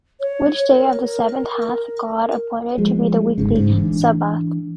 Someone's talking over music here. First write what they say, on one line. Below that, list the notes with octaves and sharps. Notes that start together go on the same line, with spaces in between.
Which day of the seven hath God appointed to be the weekly sabbath?
C#5
A#4
F3 G#3
G1 G#2 C#3
G#2
E3 D4